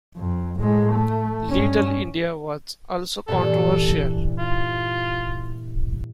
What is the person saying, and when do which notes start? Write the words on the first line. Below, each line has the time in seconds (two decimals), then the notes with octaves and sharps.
Little India was also controversial.
0.17 F2
0.60 A2 G#3
0.94 A3
1.50 G2 C#4
3.28 G2 A#2 E3 A4
4.39 F4